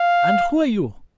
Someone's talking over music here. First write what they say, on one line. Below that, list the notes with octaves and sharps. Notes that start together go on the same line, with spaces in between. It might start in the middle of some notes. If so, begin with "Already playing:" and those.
"And who are you?"
Already playing: F5